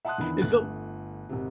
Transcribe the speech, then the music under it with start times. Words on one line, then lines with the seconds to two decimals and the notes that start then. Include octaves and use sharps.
It's a l
0.05 E5 F#5 A5 C6 D#6 F#6
0.18 E2 D3 D#3 E4 B5
0.41 G1 A3 F#6
1.29 G#1 C3